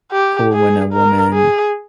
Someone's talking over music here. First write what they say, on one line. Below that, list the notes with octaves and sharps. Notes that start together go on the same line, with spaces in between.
cool when a woman
G4
G#4
A#4
G#4